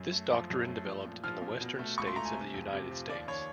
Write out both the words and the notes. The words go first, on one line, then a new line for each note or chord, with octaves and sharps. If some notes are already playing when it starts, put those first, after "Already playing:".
This doctrine developed in the western states of the United States.
Already playing: F#2
A3
F3
F#2
A3
F3
A#2
F3 F6
A#2
B2
A3
C#2 C#6
C6
A3 A#5
G#5
C3
F2
C3
F3
D#2 D5
D#2 C#5